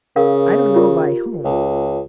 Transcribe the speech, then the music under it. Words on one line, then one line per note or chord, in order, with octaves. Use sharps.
I don't know by whom.
C#3 A#4 F5
F4 G4 A#4
C#2